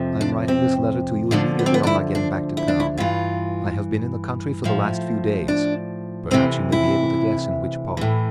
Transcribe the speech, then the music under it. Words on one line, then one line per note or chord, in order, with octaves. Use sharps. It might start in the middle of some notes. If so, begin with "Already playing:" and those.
I am writing this letter to you immediately on my getting back to town. I have been in the country for the last few days; perhaps you may be able to guess in which part.
Already playing: F2 C3 F3
D4
C4
D2 D3 F3 D4
B3
C4
B3
D4
E4
D4
E4
D4
E4
G2 E3 F4
A2 F3
D4
D2 C3 E3 C4
E4
A2 E3